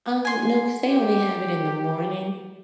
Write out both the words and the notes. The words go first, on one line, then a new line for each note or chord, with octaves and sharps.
Um, no, 'cause they only have it in the morning.
G#5 C6
G4